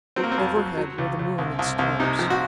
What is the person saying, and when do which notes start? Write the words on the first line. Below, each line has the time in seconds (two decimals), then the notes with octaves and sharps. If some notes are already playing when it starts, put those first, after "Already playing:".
Overhead were the moon and stars.
0.16 F#3 C4
0.23 A#3
0.32 C4
0.38 F2
0.57 F#3
0.77 F#3
0.98 C#2
1.19 C#2
1.38 C2
1.59 C2
1.79 C2
2.00 C3 D#4
2.19 F3
2.30 F#4